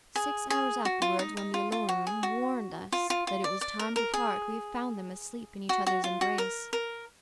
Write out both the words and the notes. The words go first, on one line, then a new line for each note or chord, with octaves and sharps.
Six hours afterwards, when the alarum warned us that it was time to part, we found them asleep in each other's embrace.
G#4
G#4
F#4
F4
D#4
D#4
F4
F4
F#4
G#4
F#4
F4
F4
F4
D5
D5
A#4
A#4
G#4
F#4
F#4
F4
F#4
A#4
A#4